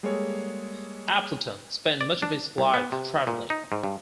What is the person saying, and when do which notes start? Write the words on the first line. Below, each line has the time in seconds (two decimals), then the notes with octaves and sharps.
Appleton spent much of his life traveling.
0.03 G3 G#3 A#3 G#4 A4 C#5
2.01 D5
2.22 D4
2.58 C2
2.74 B3
2.92 C3
3.27 A#2
3.50 D#4
3.72 G#2
3.84 G2